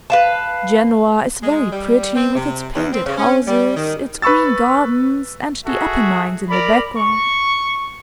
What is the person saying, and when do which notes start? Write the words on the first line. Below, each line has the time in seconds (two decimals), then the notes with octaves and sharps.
Genoa is very pretty with its painted houses, its green gardens and the Apennines in the background!
0.10 B4 F5 A5
1.42 G#3
1.72 G3
2.15 C4
2.35 C3
2.75 E2
2.92 C4
3.06 C#3
3.17 C#4
3.47 G3
3.77 D#3
4.22 B4 B5 C#6 E6 A6
5.66 F#4 G#4 A4 E5
6.49 A#4 D5 B5
6.97 C#6